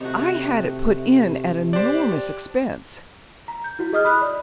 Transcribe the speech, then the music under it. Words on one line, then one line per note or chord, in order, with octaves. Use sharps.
I had it put in at enormous expense.
C3 D#3 A3 F#4
D4 G4 C5 D5
A#5
G6
E4 F#4
G#4 D#5 D#6 F6
B5 D#6 F#6
D5